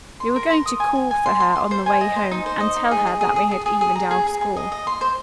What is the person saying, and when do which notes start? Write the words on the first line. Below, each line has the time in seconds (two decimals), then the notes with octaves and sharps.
We were going to call for her on the way home, and tell her that we had evened our score.
0.20 C6
0.36 A#4
0.50 C6
0.66 D#6
0.80 G#5
0.95 G#5
1.11 G#5
1.26 C6
1.40 C6
1.55 C6
1.71 C5
1.86 G#5
2.01 D#5
2.16 C5
2.31 D#4
2.46 C5
2.60 D#5
2.76 D#4
2.91 G#4
3.06 G#4
3.21 G#4
3.36 G#4
3.51 G#4
3.66 G#4
3.81 G#4
3.96 A#5
4.11 G#4
4.27 G#4
4.41 G#4
4.57 D#5
4.72 D#5
4.87 C6
5.01 C5